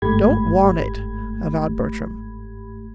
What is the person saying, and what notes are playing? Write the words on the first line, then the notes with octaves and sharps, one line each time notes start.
"Don't want it," avowed Bertram.
G1 G#2 A3 G4 B5 G#6